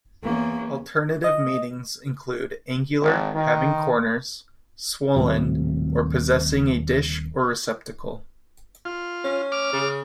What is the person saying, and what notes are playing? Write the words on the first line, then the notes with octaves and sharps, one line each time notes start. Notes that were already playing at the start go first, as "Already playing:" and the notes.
Alternative meanings include "angular, having corners", "swollen", or "possessing a dish or receptacle".
E2 A#3 C#4
D#5
G#1
D#3
D#1 A2 C3 F#3
F4
C#4
D6 F6
C#3